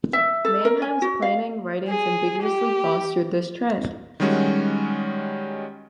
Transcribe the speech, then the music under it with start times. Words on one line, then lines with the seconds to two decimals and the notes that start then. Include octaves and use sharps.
Mannheim's "planning" writings ambiguously fostered this trend.
0.13 E5
0.45 A4
0.65 A#4
0.82 G#5
1.02 F#4
1.22 F5
1.88 G#4
2.43 G4
4.20 D#3 G3 G#3 C#4 F#4